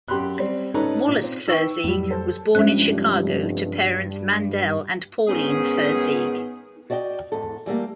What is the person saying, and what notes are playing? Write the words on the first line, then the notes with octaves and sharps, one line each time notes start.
Wallace Feurzeig was born in Chicago to parents Mandel and Pauline Feurzeig.
F#2 G4 B5 C6 F#6
G3 C4
G#2 C#4 D#4 A4 B4 A#5
A#2
C4
D#4 B4 G5 C#6 E6
F2 A2 F#3 G3
A4 C5
F1 G2 G#3 C#4 C5 E5 F#6
G#2 D#3 B3 C#4 G#4
F#4 D5 D#5 F#5 G5
E2 G#2 A4
E3 G3 A3 A#3